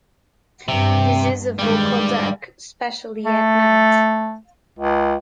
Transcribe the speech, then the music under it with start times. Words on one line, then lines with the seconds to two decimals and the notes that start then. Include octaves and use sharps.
This is a vocal duck, especially at night.
0.68 G2 C3
1.59 G2 D#3 G3 G#3
3.25 A3
4.79 C#2